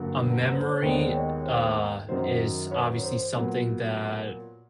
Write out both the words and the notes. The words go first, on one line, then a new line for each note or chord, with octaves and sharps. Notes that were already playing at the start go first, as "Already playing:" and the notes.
a memory, uh, is obviously something that
Already playing: G2 D3 F#3 A#3
B4
B4
C5
C#5
D#2 D#3 G#3 B3 C5 D5
C#5 D#5
C5
F#2 D#3 F#3 C5
B4 C#5
C5
A#2 F#3 B3 B4